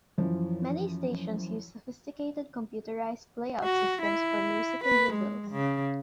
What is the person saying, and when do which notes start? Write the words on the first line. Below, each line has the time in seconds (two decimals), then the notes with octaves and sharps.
Many stations use sophisticated computerised playout systems for music and jingles.
0.18 F#2 E3 F3
3.64 F#4
4.02 E4
4.84 B4
5.14 G#3
5.52 C#3